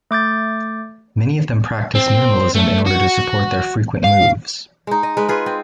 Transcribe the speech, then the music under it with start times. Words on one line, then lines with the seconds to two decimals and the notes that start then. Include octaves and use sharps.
Many of them practice minimalism in order to support their frequent moves.
0.11 A3 D6 G6 A6
1.95 C4
2.55 A3
2.87 F#4
4.04 F5
4.87 G#3 D#4
5.03 D#5
5.17 G#3 B4
5.28 F4 G#4 B4
5.46 C4